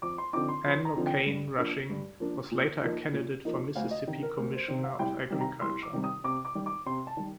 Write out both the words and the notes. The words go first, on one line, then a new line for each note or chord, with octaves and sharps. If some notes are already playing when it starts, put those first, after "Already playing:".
Ann O'Cain Rushing was later a candidate for Mississippi Commissioner of Agriculture.
F2 D6
C6
D3 F3 C4 D#4 D6
C6
F2 C6
A#5
D3 F3 C4 D#4
G5
G2
F3 A#3 D4
G2
F3 A#3 D4
A#2
F3 A#3 D#4
A#2
F3 A#3 D#4
D2 F5
D#5
C3 D#3
A#4
D2 A#4
C5
C3 D#3 C5
F5
C2 G5
C3 D#3 G3
A#5
C2 C6
D6
C3 D#3 G3
D#6
C3 D6
D6
D#3 G3
D6
C3 C6
A5
D#3 G3